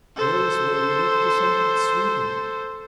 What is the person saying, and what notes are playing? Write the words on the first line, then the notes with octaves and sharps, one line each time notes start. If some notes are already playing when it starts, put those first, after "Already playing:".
Here is where he represented Sweden.
A4 C5